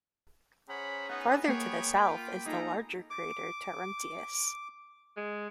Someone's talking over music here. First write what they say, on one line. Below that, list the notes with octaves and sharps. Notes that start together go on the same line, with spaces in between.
Farther to the south is the larger crater Taruntius.
C#4 G#4 C5 F#5 A#5 B5
B3 D#4 F#5
A#3 B3 G#4 C#5 G5 B5 D6
F4
D#4 F4 G#4 A4 G#5 A#5
D6
G#3